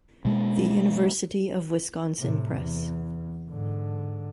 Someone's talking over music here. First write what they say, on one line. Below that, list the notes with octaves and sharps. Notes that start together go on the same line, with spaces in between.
The University of Wisconsin Press.
B2 G#3 A#3
A2 C3
E2
G#2 D3